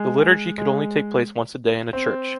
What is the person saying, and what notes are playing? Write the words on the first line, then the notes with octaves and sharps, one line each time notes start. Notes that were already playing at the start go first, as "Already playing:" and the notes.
The liturgy could only take place once a day in a church.
Already playing: G#3
G#3
C4